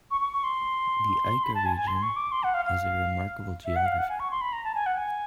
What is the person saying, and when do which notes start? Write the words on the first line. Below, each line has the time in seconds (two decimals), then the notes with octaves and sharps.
The Ica Region has a remarkable geography.
0.11 C#6
0.21 C#6
0.32 C#6
0.43 C6
1.43 B5
1.54 A5
1.65 G#5
1.77 G#5
1.87 C6
2.02 C#6
2.16 D6
2.32 C6
2.43 F#5
2.54 F5
2.65 F5
3.65 E5
3.76 F#5
3.86 F5
3.98 F#5
4.09 G#5
4.19 C#6
4.31 C6
4.41 B5
4.52 A#5
4.64 A5
4.75 G#5
4.86 F#5
4.97 G#5